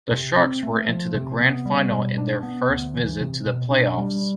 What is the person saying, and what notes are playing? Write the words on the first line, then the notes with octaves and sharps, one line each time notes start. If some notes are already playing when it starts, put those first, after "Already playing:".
The Sharks were into the Grand Final in their first visit to the play-offs.
C3
C4
A3
F3
C3
B3
G3
B2
D4
B3
D2
E3
C3
B2
D4
G3